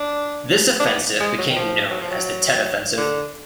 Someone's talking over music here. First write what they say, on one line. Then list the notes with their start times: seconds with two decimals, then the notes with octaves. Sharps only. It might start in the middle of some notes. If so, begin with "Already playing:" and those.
This offensive became known as the Tet Offensive.
Already playing: D4
0.80 D4
0.85 B3
1.20 G#3
1.38 F#3
1.50 D#3
1.56 F3
1.91 F#3
2.01 F3
2.11 F#3
2.97 D3